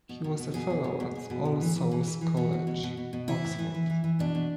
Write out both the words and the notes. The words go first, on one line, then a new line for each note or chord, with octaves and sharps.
He was a fellow at All Souls College, Oxford.
B2
B2
B2
B2 G#4
B2
B2
B2
B2
B2
A2
E3
E3
E3
E3
E3
B2 F#4
B2
B2
B2
B2
B2
E3 E4
A2
E3
E3
E3
E3
B2 D4
B2